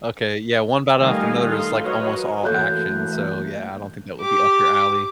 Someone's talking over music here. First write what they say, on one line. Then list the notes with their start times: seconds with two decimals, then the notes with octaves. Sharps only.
Okay, yeah, One Battle After Another is, like, almost all action, so, yeah, I don't think that would be up your alley.
1.00 D#3 G3 A3 D#5 F5 G#5
1.43 D#4 A4 F5 C6
1.81 F#3 F#4 A#4 B4 C#5 D#5
2.43 E3 A3 A#3 F#4 A4 C#5 F#6 G6
4.21 G4 D6